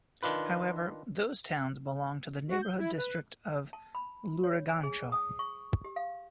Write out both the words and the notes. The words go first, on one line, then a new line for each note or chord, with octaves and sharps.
However those towns belong to the neighboring district of Lurigancho.
D#3 D4 F4 B4
F#4
G6
E4
B4
A5
B5
C#5
G#5
G#4
D#6
C#6
G4
F5